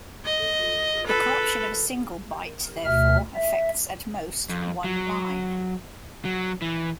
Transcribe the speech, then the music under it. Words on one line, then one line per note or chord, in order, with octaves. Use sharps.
The corruption of a single byte therefore affects at most one line.
D#5
A4 B4
D2 B2 E5 F6
E5
F2
F#3
F#3
E3